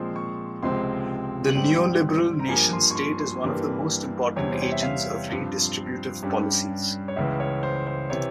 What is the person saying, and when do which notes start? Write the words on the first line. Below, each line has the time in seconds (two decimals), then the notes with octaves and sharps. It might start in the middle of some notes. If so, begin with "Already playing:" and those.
The neoliberal nation-state is one of the most important agents of redistributive policies.
Already playing: A#2 F3 G#3 C4 C6
0.16 C#6
0.62 C#2 C3 F3 G#3 C4 C6
1.55 G#2 G3 C4
2.39 A#5
2.48 G2 F3 A#3 G#5
2.73 C6
2.90 C#6
2.95 C6
3.19 C6
3.43 G2 E3 G3 A#3
4.36 E2 C3 G3 C#5
4.51 C5
4.62 C#5
4.72 E5
4.83 F5
5.30 G2 F3 C4
6.23 G2 G3 C#4
7.08 C#5
7.16 C#2 C#3 E3 E5
7.40 C#5
7.63 C5
7.87 C5
8.10 C3 E3 C#5